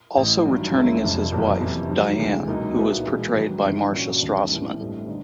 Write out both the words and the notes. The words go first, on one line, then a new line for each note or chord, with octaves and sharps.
Also returning is his wife, Diane, who is portrayed by Marcia Strassman.
A1 A2 E3
G2 D#3 F#3
C#2 C#3 E3 A3 C#4
F1 F2 C3 F3
F#1 E2 B2 F#3 A#3
F2 C3 E3
G#2 D#3 F#3
D2 C3 E3 G#3
C#2 B2 F#3 A#3 D#4
B1 A#2 F#3 B3 E4
E2 B2 G#3
G#2 D#3 F#3 B3
G1 G2 E3
A#2 G3 A#3 C#4 F#4
E1 D#2 C#3
A2 E3 G3
A1 G2 E3 A3 C4
D3 B3 D#4